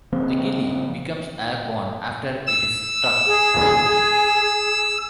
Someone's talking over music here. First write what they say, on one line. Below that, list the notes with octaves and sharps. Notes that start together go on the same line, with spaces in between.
The "gilli" becomes airborne after it is struck.
C#3 F3 A#3 C4
E6
G#4